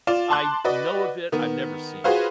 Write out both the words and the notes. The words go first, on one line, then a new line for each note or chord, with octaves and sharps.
I know of it. I've never seen it.
F4 D5 E7
A5 C6 D6 F#6
F#4 B4 D5 D#5
D#3 B3
F4 F#4 G#4 B4 C5 F5